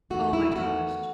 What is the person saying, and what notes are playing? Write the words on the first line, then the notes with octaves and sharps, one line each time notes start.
Oh my gosh.
E2 D#3 A3 F#4
E4
E4
E2 D#3 A3 F#4